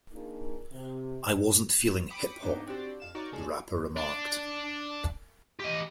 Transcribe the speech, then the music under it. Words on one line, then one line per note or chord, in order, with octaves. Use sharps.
"I wasn't feeling hip hop," the rapper remarked.
A#3 D4 D#4 F4 G#4 A#4
C3
G5 B5 D6 D#6 C#7 D7
G#2 A#3 B3 D4 D#4
C4 D4 F#4 G4 C5 D5
F2 F5 E7
D#4 F#4 A#4 C#5 D5
C#3 G#3 G#4 A4
D4
G4 D#5